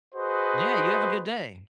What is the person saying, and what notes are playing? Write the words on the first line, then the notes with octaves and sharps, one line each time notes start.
Yeah, you have a good day.
F#4 G#4 B4 C5 D#5